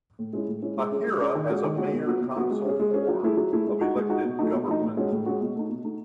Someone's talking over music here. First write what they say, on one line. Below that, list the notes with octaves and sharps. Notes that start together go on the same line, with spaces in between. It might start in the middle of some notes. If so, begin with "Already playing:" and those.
Hahira has a mayor-council form of elected government.
A2
G#3 C#4 E4
A2
G#3 C#4 E4
G#3
C#4 G#4
G#3
C#4 G#4
D#3
G#3 C#4 F#4
D#3
G#3 C#4 F#4
B2
F#3 B3 F#4
B2
F#3 B3 F#4
G#3
C#4 G#4
G#3
C#4 G#4
F#3
A3 E4 G#4
F#3
A3 E4 G#4
G#3
D#4 F#4
G#3
D#4 F#4
B2
F#3 A3 D#4
B2
F#3 A3 D#4
A2
G#3 C#4 F#4
A2
G#3 C#4 F#4
B2
A3 D#4
B2
A3 D#4